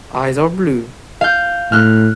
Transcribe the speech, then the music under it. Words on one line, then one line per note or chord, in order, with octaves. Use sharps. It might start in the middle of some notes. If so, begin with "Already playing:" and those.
Eyes are blue.
F5 G6
A2 F6 F#6